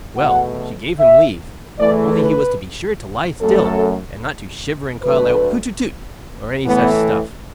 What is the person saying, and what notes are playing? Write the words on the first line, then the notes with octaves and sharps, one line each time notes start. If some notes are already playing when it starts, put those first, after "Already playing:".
Well! she gave him leave, only he was to be sure to lie still, and not to shiver and call out 'hutetu', or any such stuff.
E2 B2 A3 F#5
E5
E2 E3 A3 D5
B4
F#2 F#3 A3 A4
D2 D3 F#3 A3 B4
A2 E3 A3 B3